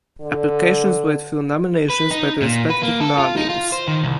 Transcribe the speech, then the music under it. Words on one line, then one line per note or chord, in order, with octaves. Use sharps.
Applications were through nominations by the respective Law Deans.
D3
B4
D#4
A#2
B4
A#3
A4
F4
D#4
F4
C5
D#3
C2